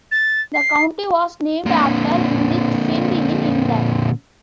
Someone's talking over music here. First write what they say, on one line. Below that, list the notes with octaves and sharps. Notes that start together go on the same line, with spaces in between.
The county was named after Lichfield, in England.
A6
C7
A#2 D3